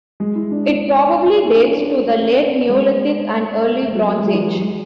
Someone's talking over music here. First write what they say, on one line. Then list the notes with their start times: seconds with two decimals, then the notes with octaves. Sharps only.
It probably dates to the late Neolithic and early Bronze Age.
0.20 G#3
0.35 E4
0.51 D4
0.67 E4
1.45 E4
1.55 D4
1.66 C#4
1.77 D4
2.07 C#4
2.23 C#4
2.38 B3
2.69 G#3
3.95 F#3
4.18 G#3
4.26 F#3
4.34 E3
4.41 F#3
4.57 G#3